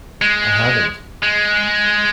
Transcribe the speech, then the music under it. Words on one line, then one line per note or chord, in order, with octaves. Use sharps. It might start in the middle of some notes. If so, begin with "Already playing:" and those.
I haven't.
G#3
G#3